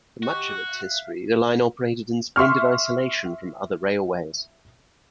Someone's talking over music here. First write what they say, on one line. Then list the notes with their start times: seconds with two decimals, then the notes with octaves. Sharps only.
For much of its history, the line operated in splendid isolation from other railways.
0.23 F#4 G4 D#5 C#6 F#6
0.67 E5 F5
2.36 E5 C6 C#6 F6